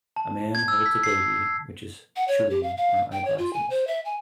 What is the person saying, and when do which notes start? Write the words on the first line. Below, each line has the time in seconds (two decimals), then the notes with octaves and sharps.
A man holds a baby, which is chewing on eyeglasses.
0.16 A5
0.55 G#6
0.68 E6
0.86 B6
1.03 C7
2.16 F#5
2.28 C#5
2.50 G4
2.63 F5
2.77 F5
3.12 G5
3.25 C#5
3.38 F4
3.53 G#5
3.70 C5
3.87 E5
4.05 G#5